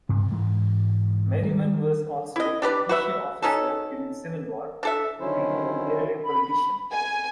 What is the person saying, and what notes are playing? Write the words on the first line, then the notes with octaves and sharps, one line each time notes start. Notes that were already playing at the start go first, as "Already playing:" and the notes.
Merryman was also a militia officer during the Civil War, and a Maryland politician.
G2 C3
G#2 E3 G#3
D#3 G3
E4 D#5
D4 G4 B4 D5
F#4 B4 E5
C#4 D#4 F#4 A4
D4 A4 E5
D3 D#3 F#3 C#4 E4 C5
B5
G#5